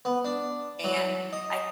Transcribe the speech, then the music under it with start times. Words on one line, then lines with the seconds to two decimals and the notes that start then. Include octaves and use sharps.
And I
0.05 B3
0.25 D4
0.84 F#3
1.33 D#5